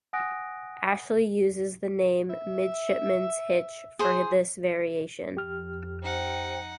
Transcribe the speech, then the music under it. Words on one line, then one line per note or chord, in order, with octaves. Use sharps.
Ashley uses the name midshipman's hitch for this variation.
F#5 G#5 D#6 F#6 A#6 D7
E5
G#4 C5
F2 G4 F6
D#4 C5 F#5 G5